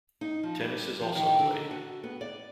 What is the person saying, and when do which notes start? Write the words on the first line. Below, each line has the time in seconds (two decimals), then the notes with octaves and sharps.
Tennis is also played.
0.21 D#4
0.43 F3
0.61 G3
1.01 F3
1.15 D#3
1.39 D3
1.71 F#4
2.04 B3
2.21 D5